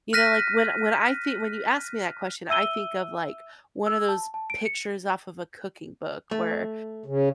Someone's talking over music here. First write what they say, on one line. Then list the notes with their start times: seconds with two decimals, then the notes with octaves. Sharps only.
you know, like when when I thi when you ask me that question, I think of, like, one of those pictures off of a cooking book where,
0.13 F6 F#6 A#6 B6 D#7
2.49 E5 E6 D#7 G7
3.87 E6
4.09 A5
4.34 A5
4.50 D7
4.65 C#7
6.31 A3
7.06 C#3